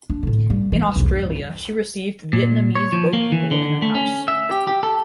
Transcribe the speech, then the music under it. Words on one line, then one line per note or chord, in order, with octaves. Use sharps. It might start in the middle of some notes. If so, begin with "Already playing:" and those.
In Australia she received Vietnamese boat people in her house.
D4
A2 D3
G3
E3
B1 E2
G2
A#2
C#5
F3
A#3
E3
D3
A3
C#4
E5
G4
G4
A4